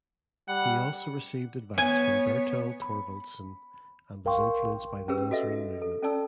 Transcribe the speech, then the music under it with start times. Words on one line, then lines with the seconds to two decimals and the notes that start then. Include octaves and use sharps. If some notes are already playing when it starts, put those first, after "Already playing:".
He also received advice from Bertel Thorvaldsen and was influenced by the Nazarene movement.
0.49 G3 F#5
1.78 B3 C#5 G#5
2.82 B5
4.25 B1 A#4 F5 G5 C6 C#6
5.08 C#4 G4 G#4 A#4 B4 E6
5.31 F#4 A4 D#5 E5
5.82 A4
6.02 C#4 A4 D5 A5 E6